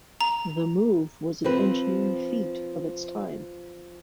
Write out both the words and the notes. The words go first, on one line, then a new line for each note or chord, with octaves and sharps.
The move was an engineering feat of its time.
A#5
F3 C4 B4